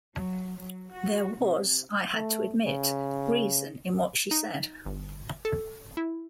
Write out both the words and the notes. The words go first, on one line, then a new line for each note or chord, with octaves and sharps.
There was, I had to admit, reason in what she said.
F#3
F#3
F#4
C3
A3
C#3
D#4
G1
A4
E4